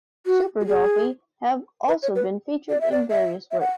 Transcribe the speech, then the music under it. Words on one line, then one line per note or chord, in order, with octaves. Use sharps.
Super Dollfie have also been featured in various work.
F#4
F#4
G#4
B4
C#5
B4
D5
E5
D5
E5
E5
F#5